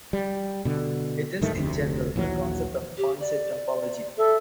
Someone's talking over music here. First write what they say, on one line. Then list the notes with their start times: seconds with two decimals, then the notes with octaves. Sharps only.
It is in general, a concept of point-set topology.
0.13 G3
0.65 B2 D3
1.42 G2 D#3 A3
1.53 F1 D2 C3
2.16 A#1 D#2 E3 F#3
2.97 G4
3.20 D5
4.17 A4 E5